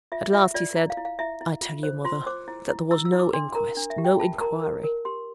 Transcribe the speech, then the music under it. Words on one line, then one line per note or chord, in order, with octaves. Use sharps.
At last he said: 'I tell you, mother, that there was no inquest--no inquiry.
F4 E5
F4 E5
F4 D5
E4
F5
E4
F5
E4 E5
E4
F4
C5
F4 C6
C5 D6
E4
E4
E4 E6
E6
E4
D6
D4 C6
A#4 A#5
D4
E5
G4
G5
F4 A5
A#4 A#5
A#4
A#4
G4 C6